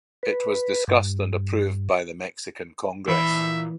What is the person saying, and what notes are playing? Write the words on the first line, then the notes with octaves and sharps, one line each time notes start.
It was discussed and approved by the Mexican Congress.
B4
G2
A#2 E3 E5 B5